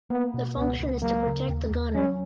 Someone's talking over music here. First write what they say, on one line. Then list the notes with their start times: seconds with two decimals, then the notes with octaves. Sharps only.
The function is to protect the gunner.
0.10 A#3 B3
0.34 B2
0.57 C#2 B3
0.80 C#2
1.02 F#3 A#3
1.26 C#3
1.49 D#2
1.71 D#2
1.95 F#3 C#4